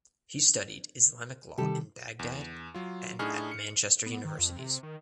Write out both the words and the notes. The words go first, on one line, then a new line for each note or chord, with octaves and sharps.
He studied Islamic law in Baghdad and at Manchester Universities.
C3 D#3 G3 G4 A4
E2
F#3 F4
A2 D4 D#4 G#4 F6
C#7
B3
D#3
F2
C3
D#3